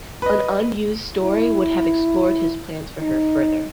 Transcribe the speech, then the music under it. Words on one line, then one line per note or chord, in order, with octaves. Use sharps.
An unused story would have explored his plans for her further.
B4 D#5
E4
D#4